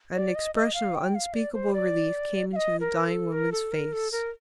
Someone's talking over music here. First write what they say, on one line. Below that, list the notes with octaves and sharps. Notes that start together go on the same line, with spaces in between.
An expression of unspeakable relief came into the dying woman's face.
D5
D#5
D#5
F5
G5
F5
D5
C5
D5
F5
D#5
A#4
A4
A#4
A4
A#4
A4
A#4